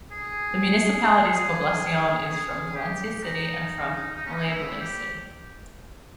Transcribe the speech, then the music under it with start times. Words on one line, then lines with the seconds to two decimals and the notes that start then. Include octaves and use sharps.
The municipality's Poblacion is from Valencia City and from Malaybalay City.
0.11 G#4
2.29 G#4
2.76 G4
3.23 D#4
4.17 D#4
4.26 C#4
4.33 D#4
4.48 E4
4.79 G4